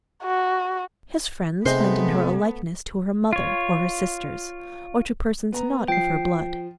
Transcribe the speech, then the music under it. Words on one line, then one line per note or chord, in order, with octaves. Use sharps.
His friends find in her a likeness to her mother, or her sisters, or to persons not of her blood.
F#4
C3 G#3 A3 B3 D#4 C5
F4 C#5
B3 A#5
F3 G5 C7